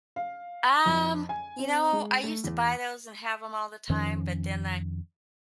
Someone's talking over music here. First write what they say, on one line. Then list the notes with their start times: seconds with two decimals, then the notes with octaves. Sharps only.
Um, you know, I used to buy those and have them all the time, but then I
0.16 F5
0.86 F2
1.29 G#5
1.59 C4
1.93 G#3
2.24 A3
2.44 E2
3.89 F2 D#3 F3 C#4